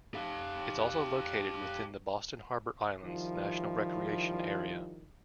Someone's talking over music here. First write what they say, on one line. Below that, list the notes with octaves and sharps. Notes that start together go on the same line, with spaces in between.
It's also located within the Boston Harbor Islands National Recreation Area.
G4 F5
D#3 F3 G3 E4